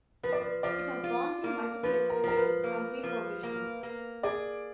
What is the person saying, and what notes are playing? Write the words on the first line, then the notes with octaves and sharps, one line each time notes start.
It has gone through multiple extensions and refurbishments.
F3 B4
D5
B4
F3 D5
F4
A#3
F3 B4
A#4
F3 A#4
B4
A#3
F3
A#3
A#3
G#4 D5